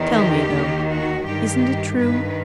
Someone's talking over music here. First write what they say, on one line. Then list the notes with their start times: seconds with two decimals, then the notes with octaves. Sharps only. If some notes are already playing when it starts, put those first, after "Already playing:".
Tell me, though, isn't it true?
Already playing: E2 D#3
0.15 G4
0.52 D#2 D#3
0.89 F#4
1.25 G2 D#3 G4
1.98 G2 D#3 B4